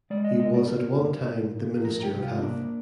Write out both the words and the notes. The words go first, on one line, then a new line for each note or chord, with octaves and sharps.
He was at one time the Minister of Health.
G#3 D5
D#5
C2 D#5
D5
A#3 A#4
G2
A#2
A#2
F3 A#4
G4
C2
F4
C4
A#3 D4